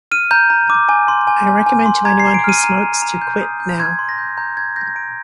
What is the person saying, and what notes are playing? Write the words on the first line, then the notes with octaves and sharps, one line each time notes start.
I recommend to anyone who smokes to quit now.
F6 D#7
A#5 G6
A#5
D6
G#5
C6
G#5
G#5
G#5
C6
A#5 G#6
C7
A#5
D7
F6 D#7
A#5 D#7
A#5
A#5
G6
D#6
G6
C6 G#6
C6
A#6
G6
A#5 G6
G6 G#6
G6 A#6
A#5 D7